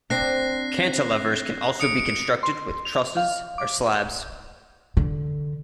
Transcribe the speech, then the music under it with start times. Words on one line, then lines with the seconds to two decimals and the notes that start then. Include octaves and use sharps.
Cantilevers can also be constructed with trusses or slabs.
0.10 C4 D4 F#6 A#6 C7
1.80 D#6 C#7 D7
2.43 C6
2.85 F7
3.17 F5
3.58 D6
4.97 D3